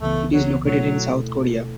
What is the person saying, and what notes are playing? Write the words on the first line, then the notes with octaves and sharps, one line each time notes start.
It is located in South Korea.
C#2 C#3 E3 A3 B3
F#3
B2 F#3 A3 E4 A4